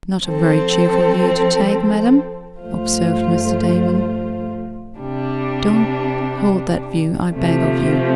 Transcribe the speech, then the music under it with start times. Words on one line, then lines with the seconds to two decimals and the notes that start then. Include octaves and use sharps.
Not a very cheerful view to take, madam," observed Mr. Damon. "Don't hold that view, I beg of you.
0.25 F3 C4 A4 C5
2.61 G2 F3 A3 F4 C5
4.97 C3 G3 D4
7.33 C3 F3 A3